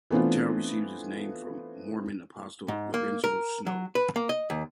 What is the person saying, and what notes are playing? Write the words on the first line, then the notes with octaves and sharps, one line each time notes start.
The town received its name from Mormon apostle Lorenzo Snow.
E3 A3 B3 C4 D4 F4
G#2
A#3
A#4
F#3
B4
A#3
D#5
D#2